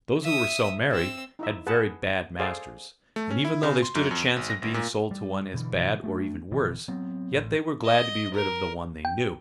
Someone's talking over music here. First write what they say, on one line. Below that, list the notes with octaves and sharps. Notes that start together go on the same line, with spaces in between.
Those who were so merry had very bad masters, and even though they stood a chance of being sold to one as bad or even worse, yet they were glad to be rid of the one they knew.
E5 D#6
C4 E6
D#4 E4 E5
G#4 B4 F#5 A5
G#4 A4 C5 D5 F5
A3
C#4
E4
C#3
C6
F#2
F2
D7
G#1
A#6
G#1
A#2
G3
B2 D3 E3
A3 B3 D4
G1 B2 D#3 E3
F#3 B3 C4
A1
D#5
A#4
G5